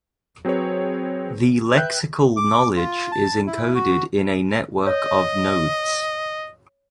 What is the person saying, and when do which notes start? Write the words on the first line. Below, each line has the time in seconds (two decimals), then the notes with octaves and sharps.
The lexical knowledge is encoded in a network of nodes.
0.45 F#3 C4 G#4 B4 C#5
1.75 B4 E5 G5 F#6 G6
2.37 D6
2.76 F4
3.12 A5
3.47 E4
3.75 F#4
4.87 C#5 D#5